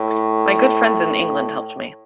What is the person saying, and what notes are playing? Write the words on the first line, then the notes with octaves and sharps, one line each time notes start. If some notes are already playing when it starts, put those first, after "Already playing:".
My good friends in England helped me.
Already playing: A2